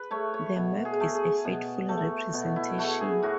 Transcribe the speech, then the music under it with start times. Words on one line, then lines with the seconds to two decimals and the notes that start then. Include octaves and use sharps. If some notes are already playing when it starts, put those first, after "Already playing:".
The map is a faithful representation.
Already playing: B4
0.11 A3 C#5
0.34 C#5
0.56 B2
0.85 G#4
1.00 A3
1.15 G#4
1.45 B2
1.89 A3
2.34 B2
2.56 E4
2.78 A3 F#4
3.00 G#4
3.22 A2 F#4